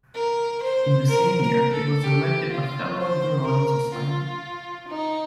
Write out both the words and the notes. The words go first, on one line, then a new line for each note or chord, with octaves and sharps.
In the same year he was elected a Fellow of the Royal Society.
A#4
C5
A#4
A#4
A4
G4
F4
C5
A#4
F4
D#4